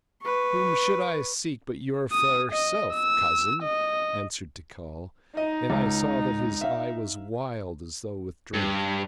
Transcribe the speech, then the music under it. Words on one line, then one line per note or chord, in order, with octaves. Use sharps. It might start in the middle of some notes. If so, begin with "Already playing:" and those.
"Whom should I seek but your fair self, cousin?" answered Tikal--and I saw that his eye was wild, as though with drink.
B4 C#6
D#6
D#5
E6
D#5
D#4 D#5
C#2
E5 F5
G2